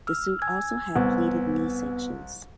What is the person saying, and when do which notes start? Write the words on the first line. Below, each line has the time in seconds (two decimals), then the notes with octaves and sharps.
The suit also had pleated knee sections.
0.07 E6 F6
0.42 G#5 E6 G#6
0.96 C2 B3